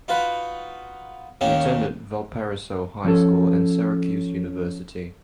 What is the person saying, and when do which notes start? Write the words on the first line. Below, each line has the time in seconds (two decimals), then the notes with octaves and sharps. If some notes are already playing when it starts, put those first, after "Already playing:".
He attended Valparaiso High School and Syracuse University.
0.08 D#4 F4 F#4 B4
1.41 D#2 D#3 A#3 C#4 D#4
3.05 F3 C#4 A4